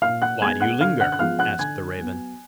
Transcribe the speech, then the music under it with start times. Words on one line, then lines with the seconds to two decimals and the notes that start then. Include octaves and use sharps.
"Why do you linger?" asked the raven.
0.02 A#2 F5 F6
0.22 F#5 F#6
0.41 G#3 B3 G#5 G#6
0.60 F#5 F#6
0.81 D3 F5 F6
1.00 F#5 F#6
1.12 F#6
1.19 F3 G#3 B3 F5 F6
1.39 F#5 F#6
1.59 D3 G#5 G#6
1.98 F#3 B3